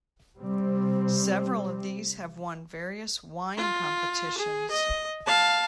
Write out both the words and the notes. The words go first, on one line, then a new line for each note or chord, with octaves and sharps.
Several of these have won various wine competitions.
C3 G3 C4
F4
G#4
D#5
F5 A5